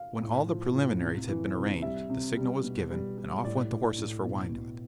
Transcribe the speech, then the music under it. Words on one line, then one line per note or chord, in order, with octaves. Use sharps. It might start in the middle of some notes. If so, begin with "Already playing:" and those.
When all the preliminaries had been arranged, the signal was given, and off went the horses for Wyandotte.
Already playing: F5
A2
F3
A2
C3
E3
C3
G3 E5
C3
G3
B2
G3
G3
A2 D5
A2
A2
B2
B2